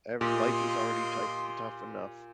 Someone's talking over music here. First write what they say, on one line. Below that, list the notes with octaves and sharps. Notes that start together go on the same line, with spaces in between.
Ev life is already tife tough enough.
A#2 A#3 F4 G4 D#5 C6